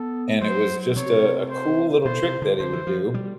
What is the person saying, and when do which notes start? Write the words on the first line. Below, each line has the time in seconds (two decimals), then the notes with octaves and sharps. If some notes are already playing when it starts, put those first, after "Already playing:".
and it was just a a cool little trick that he would do,
Already playing: B3 A4
0.41 F#3 C5
0.96 C3 C#5
1.50 C5
2.05 B2 C5
2.23 C3
2.42 D3
2.59 D3 C5
2.73 E3
2.87 F3
3.14 G3